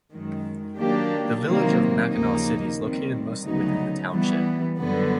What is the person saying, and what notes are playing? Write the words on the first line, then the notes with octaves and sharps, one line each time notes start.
The village of Mackinaw City is located mostly within the township.
F#2 D#3 G#3
D#3 F#3 A#3 D4 G4
C3 D#3 F#3 A#3
D#2 C#3 F3 A#3 D#4
D#2 D#3 G3 C4
D2 C#3 F#3 B3 D#4
E3 G3 B3
F#2 D3 G3 B3